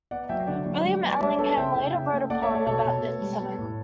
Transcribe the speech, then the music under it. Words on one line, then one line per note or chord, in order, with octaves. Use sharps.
William Allingham later wrote a poem about the incident.
B3 D5 F#5
F#3 E5 G5
D3 D5 F#5
F#3
G3
B3
D5
G3 C#5 E5
B3 A4 C#5
C#3 E5 G5
C#3
C#3
A3
A3 D5 F#5
C#5 E5
A3
A4 C#5
B2 A4 C#5
B2
B3
G3
B3
A2